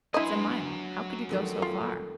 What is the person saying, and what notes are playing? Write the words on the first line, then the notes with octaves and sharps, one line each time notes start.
"It's a mile, how could you go so far?"
F#3 D4 E4 B4 D#5 G#5 C6
F2 D#3 A3
F4